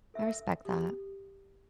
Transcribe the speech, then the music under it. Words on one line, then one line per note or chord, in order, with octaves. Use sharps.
I respect that.
A4 E5 E6
G4